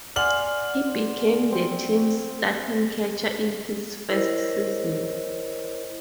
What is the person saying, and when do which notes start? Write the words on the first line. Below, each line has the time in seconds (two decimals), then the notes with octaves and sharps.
He became the team's starting catcher in his first season.
0.16 D5 F#5 G#5 C6 F6 F#7
1.52 C4
4.09 E4 A#4 C5 C#5 D#5